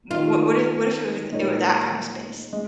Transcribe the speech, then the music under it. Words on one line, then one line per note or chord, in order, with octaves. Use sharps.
wha wha what if what if it were it were that kind of space?
D#3 A#3 D#4 F4
A#2 G#3 D#4 A#4 C#5
G#3